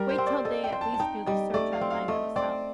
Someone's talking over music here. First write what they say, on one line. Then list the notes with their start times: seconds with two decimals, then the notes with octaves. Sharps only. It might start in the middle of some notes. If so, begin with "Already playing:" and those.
wait till they at least do the search online themselves.
Already playing: G3 A#4
0.09 C5
0.18 C4
0.27 D5
0.45 A4 D#5
0.64 G5
0.72 C5
0.81 A5
0.94 A5
1.00 D#4 G5
1.26 G3 D#5
1.54 A3 D5
1.73 F5
1.81 C4
1.90 F5
2.08 A3 D#5
2.36 C4 D5